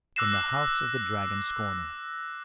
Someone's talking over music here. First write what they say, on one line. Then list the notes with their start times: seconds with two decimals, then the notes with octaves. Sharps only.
In the House of the Dragon Scorner.
0.16 D6 E6 F#6 A#6 C7 E7